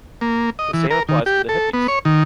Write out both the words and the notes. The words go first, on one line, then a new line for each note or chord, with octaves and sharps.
The same applies to the hippies.
A#3
D#5
E3
A#4
D#3
G4
A4
B3
C#5
D#3